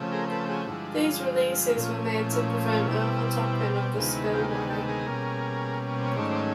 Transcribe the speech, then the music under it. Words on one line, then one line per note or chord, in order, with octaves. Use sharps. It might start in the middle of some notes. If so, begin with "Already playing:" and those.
These releases were made to prevent overtopping of the spillway.
Already playing: C#3 F3 A3 C4
G#4 A#4
A4 B4
F#4 G#4
G2 D3 F3 G#3 E4 F#4
F4
A#2 F3 A3 C#4
E4
F4
B2 G3 C4 E4
D2 C3 D#3 G#3 B3 F4
E4 F#4
F4 G4
F#4 G#4
G4 A4
G#4 A#4
B2 G3 A#3 C#4
C5
C#5
G#2 D#3 F#3 A3 C#4 C5 D5
C5 D5